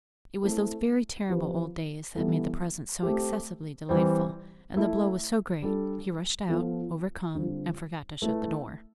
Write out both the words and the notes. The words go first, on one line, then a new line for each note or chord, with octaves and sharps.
It was those very terrible old days that made the present so excessively delightful, and the blow was so great he rushed out, overcome, and forgot to shut the door.
A3 C4 E4 A4
F3 C4 G4 B4
E3 G3 B3 E4 A4
A3 C4 G4
E3 G3 C4
A3 E4 A4
G3 D4 A4
F3 B3 F4 A4
D3 G3 C4 F4
A3 E4 B4